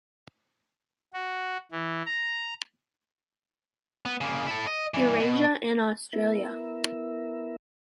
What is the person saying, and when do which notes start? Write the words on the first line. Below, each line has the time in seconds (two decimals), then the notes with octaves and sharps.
Eurasia and Australia.
1.13 F#4
1.71 E3
2.05 A#5
4.05 B3
4.21 C#3 A#3
4.47 E4 A4
4.67 D#5
4.94 G2 E3
5.20 B2
6.13 B3 E4 A#4 E5